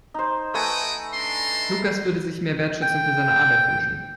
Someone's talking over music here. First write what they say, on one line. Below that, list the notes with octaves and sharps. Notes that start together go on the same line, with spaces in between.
Lukas würde sich mehr Wertschätzung für seine Arbeit wünschen.
D#4 C5
A3 F#4 B4 G5 G#5 D#6
D4 A#5 C6
G5